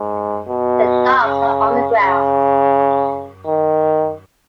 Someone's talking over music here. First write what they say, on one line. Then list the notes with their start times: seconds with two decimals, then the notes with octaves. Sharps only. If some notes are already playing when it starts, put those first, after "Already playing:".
The docks are underground.
Already playing: G#2
0.48 B2
1.22 C#3
1.97 C#3
3.46 D#3